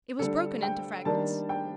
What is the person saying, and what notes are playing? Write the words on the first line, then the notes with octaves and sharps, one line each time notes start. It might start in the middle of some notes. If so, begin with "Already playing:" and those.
It was broken into fragments.
D3 G3 D4 A4
G5
D#3 G3 A#3 D4 A5
G5